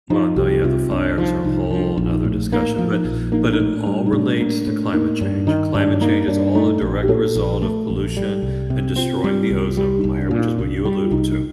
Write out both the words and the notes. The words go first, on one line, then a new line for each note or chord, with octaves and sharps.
Well, no, yeah, the fires are whole 'nother discussion, but but it all relates to climate change, climate change is all a direct result of pollution and destroying the ozone layer- which is what you alluded to-
F3 D#4
C2 G4
C3 F4
C2 D4
F3 D#4
C2 D#4
F3 D4
D#4
D4
A#1
D#4
A2
A#3 D#4
F3 F4
D#4
A#1
A#3 D#4
D4
D#4
A2
D4
G3
D#4
A2 D4
A#3
A2
A#3 D#4
G2 D4
D#3 D#4
G2 D4
D4
A#3 D#4
G2 D4
A3 D#4
A#1
G4
A#2 A4
A#1
A3
A#1
G3
C2
C3
C4 F4
G3
C2
F4
G3 G4
D#4
C2
D4
A#2 F4
D#4
C2 D4
G3 D4
F4
C2 D#4
D#4